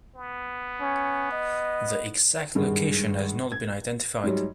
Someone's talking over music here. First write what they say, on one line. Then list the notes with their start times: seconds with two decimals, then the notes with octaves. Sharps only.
The exact location has not been identified.
0.15 B3
0.81 C#4
1.32 D#5
2.55 G#1 G2 G#3
3.52 G#6
4.24 G#2 F#3 G3